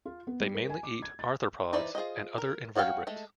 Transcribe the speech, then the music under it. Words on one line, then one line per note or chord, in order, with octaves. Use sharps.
They mainly eat arthropods and other invertebrates.
F4
B3
G3
A#4
G#5
D6
G#6
A6
E3 D#4 B4 C5 D5
F4 G#4 C5 D#5
A#4
F#3 F#4 C#5 F5 G5
G#3 A3 A4